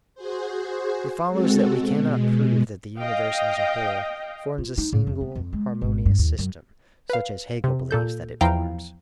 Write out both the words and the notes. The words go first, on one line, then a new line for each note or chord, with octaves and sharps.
It follows that we cannot prove that the universe as a whole forms a single harmonious system such as Hegel believes that it forms.
F#4 G#4 C5
G#3 C4 F#4 A4
B2 G#3
D#5 F5 G5
F4
D#4
A2
F2
B3
F2
G#3
G#1
G2
D#2
F#2
B4 F5
C3
A#2 A4 G6
E2 F3 E4 F5 G5 A#5